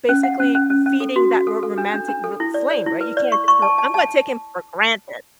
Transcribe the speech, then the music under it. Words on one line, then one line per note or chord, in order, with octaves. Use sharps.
basically, feeding that ro romantic r flame, right? You can't just go, "I'm gonna take him for granted,"
C#4
F#5
C#4
C#4
C#4
C#4
A4
F#4
F#4
A4
A4
D4
D4
D4
A4
E4
D5
D5
E4
B4
D5
C#6
C#6
A5
A5
A5